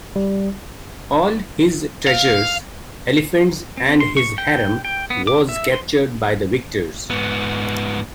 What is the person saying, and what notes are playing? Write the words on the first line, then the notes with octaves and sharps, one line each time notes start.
All his treasures, elephants and his harem was captured by the victors.
G3
F5
C4
C6
C#6
G5
G5
B3
D6
E5
C6
G#2 B3